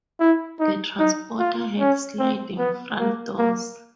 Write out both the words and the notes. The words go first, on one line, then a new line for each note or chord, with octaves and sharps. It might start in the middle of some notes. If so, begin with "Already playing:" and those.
The Transporter had sliding front doors.
E4
D#4
D#4
F4
C#4
C4
B3
A#3
A#3